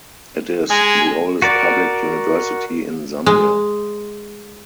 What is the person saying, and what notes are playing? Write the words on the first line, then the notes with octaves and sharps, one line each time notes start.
It is the oldest public university in Zambia.
G#3 G#5
F#4 A#4 D5
G#3